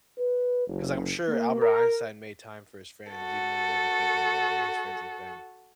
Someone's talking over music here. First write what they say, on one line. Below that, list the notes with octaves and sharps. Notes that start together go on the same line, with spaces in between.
'cause I'm sure Albert Einstein made time for his friends even when he wasn't thinking about it, his friends and family,
B4
F#1
A#3
A#4
F#4 A4